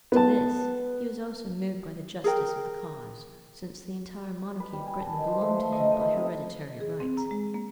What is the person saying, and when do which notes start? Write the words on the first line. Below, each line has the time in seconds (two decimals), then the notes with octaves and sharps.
To this he was also moved by the justice of the cause, since the entire monarchy of Britain belonged to him by hereditary right.
0.12 B3 A5
2.24 G#4 A#4 G5
4.60 B4
4.73 G3
4.86 G#5
5.00 A5
5.12 D#3
5.27 F3
5.41 A3
5.56 A4
5.72 D#5
5.86 D#4
6.01 B4
6.16 C3
6.80 G#4
7.00 C4
7.17 A#5
7.31 G#3
7.54 A#3